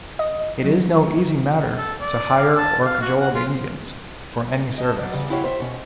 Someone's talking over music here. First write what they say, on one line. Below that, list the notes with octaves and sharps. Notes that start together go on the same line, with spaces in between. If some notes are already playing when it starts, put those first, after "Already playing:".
It is no easy matter to hire or cajole the Indians for any service.
D#5
F#3
A4
D5
F5
A5
F5
F#4
F#5
F4
D#5 A5
F#3 D5
E2 C#3 G3
E4 F#4 G4 C#5 E5 F5
C5 E5
B2 C#4